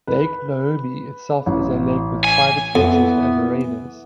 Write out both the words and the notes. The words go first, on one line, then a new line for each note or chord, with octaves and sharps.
Lake Naomi itself is a lake with private beaches and marinas.
B4
A1
G#5
F2 E3 B3